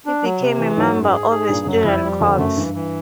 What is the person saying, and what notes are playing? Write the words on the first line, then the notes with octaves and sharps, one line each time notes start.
He became a member of a Student Corps.
D4
F#3
C3
E3
G#2 F#3
F#2
G#4
G#4
G2 A#2
F#2 F#3
F2 E4
G3
F2 D3
F#2 A3
G2 E3
E3